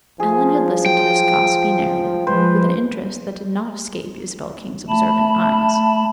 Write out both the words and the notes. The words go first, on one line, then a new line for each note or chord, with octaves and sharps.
Alan had listened to this gossipy narrative with an interest that did not escape Isabel King's observant eyes.
F3 G#4
G5
F3 G#3 B4 C5
A3 A5 B5